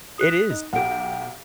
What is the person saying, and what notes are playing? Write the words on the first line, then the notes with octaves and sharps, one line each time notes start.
It is.
D#6 F#6
D#4
B1 G4 F#5 D7